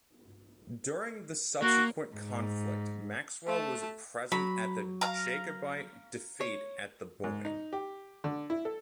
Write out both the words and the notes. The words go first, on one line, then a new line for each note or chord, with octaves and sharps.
During the subsequent conflict Maxwell was present at the Jacobite defeat at the Boyne.
A#3 F#4
G#2
A3 A5
F#3 B5
F5 A#5
C#5
G#2
D#4
G4
D3
E4
A4